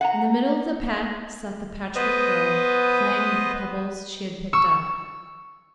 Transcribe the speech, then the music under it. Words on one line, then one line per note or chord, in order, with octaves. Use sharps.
In the middle of the path sat the Patchwork Girl, playing with pebbles she had picked up.
F#5 G#5 A#5
B3 B4 C5 D#5
C#6 E6